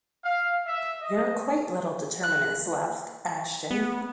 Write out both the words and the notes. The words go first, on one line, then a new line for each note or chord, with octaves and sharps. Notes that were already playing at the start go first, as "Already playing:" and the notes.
"You're a quaint little determinist," laughed Ashton.
F5
E5
D#5
F#6
B3